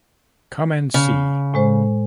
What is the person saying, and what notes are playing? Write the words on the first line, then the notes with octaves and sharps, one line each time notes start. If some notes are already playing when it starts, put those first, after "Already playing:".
Come and see.
C#3
A2 G#3 C5